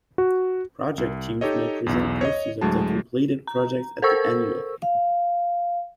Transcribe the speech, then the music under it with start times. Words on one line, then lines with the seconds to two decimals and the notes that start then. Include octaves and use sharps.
Project teams may present posters of their completed projects at the Annual.
0.18 F#4
0.98 C2
1.41 D#4 G4 A4 C#5 D#5
1.86 B1 E2
2.21 C#5 D#5
2.61 D2 A2 F#3 G#3 A5
3.47 A#5
4.02 A4 A#4 C5 C#6 E6
4.82 F5